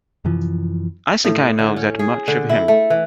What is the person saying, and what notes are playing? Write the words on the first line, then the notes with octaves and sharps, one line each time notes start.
I think I know that much of him.
F#2 C3 E3 F3
A2
D3
C#4
G#4
D3
E4
A3
E3